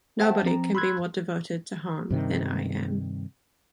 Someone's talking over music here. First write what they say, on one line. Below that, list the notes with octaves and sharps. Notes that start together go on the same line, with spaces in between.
Nobody can be more devoted to home than I am.
C5 E5 F#5 G5 A5
F3 C4 A#5
B5 C6 E6 F#6 G#6
G2 C3 D#3